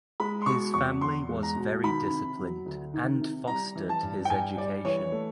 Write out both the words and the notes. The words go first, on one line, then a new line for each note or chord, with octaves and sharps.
His family was very disciplined and fostered his education.
G#3 B5
C6
B2 C#6
E2 C#6
E2 C6
G#3
A#5
B2
D#3 B5
C3
F#3
D2
D#3
C3
G3 A#5
E3
A5
G2
G5
G2 G#5
G3 D5
E3 C#5
A3